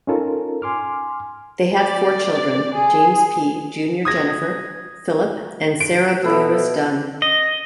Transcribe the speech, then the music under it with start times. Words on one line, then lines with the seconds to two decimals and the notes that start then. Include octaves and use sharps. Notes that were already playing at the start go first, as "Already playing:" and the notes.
They had four children: James P., Junior Jennifer, Philip, and Sarah Bliumis Dunn.
0.07 C#4 D#4 F4 A4 A#4
0.62 G#5 C6 D6 F6
1.78 D5
2.74 G#4
4.05 D#6 G#6 A#6
5.80 D7
6.24 B2 E4 A4
7.22 D#5